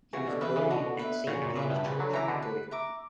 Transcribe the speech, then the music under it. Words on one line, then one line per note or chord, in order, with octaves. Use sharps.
He was buried at Saint Peter's Church, Goytre.
C#3 E3 F#4
B2 D3
C#3 E3 B4 E5
C#3 E3
B2 D3 F#4
B4 E5
A#2 C#3 F#4
F#2 A#2
A#2 C#3 B4 E5
G2 B2
A#2 C#3 B4
D3 F#3
C#3 E3 E5 A#5 D6
B2 D3
B4
E5 A#5 D6